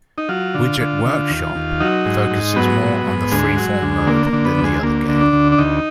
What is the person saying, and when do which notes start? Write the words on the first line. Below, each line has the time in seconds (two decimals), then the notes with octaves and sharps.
"Widget Workshop" focuses more on the freeform mode than the other game.
0.18 D#4
0.29 F#3 F4
0.54 D3
0.80 D3
1.05 D3
1.30 D#2
1.55 D#2
1.80 F#3 D#4
2.06 G#2
2.31 G#2
2.56 F#3 B3
2.81 G#2
3.06 G#2
3.31 D2 G#3
3.57 F#3
3.82 D2
4.07 D3 A#3
4.26 A#3
4.33 D3
4.45 B3
4.58 D2
4.64 G#3
4.83 D2 A#3
5.08 D3
5.21 D4
5.33 D2
5.52 D4
5.58 D2 D#4